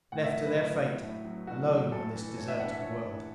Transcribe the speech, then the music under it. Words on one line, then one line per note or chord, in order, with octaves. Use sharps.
Left to their fate, alone on this deserted world.
A2 F#5
E5
F#3
B4
A2
F#3
A2
F#3
A2 F#4
F#3
A2 A4
E3
A2 C#5
E5
E3 F#5
E5
A2 C#5
E3